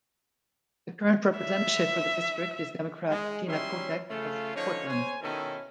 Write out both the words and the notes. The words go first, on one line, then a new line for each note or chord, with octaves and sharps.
The current representative for the district is Democrat Tina Kotek of Portland.
E5
G#3
F#3 G3 C#4 E4 E5 C6
C#3 A3 F4
D3 F3 C#4 D#4 C#5
C5 C#5 G#5
B2 D#3 C#4 D#4 E4 A4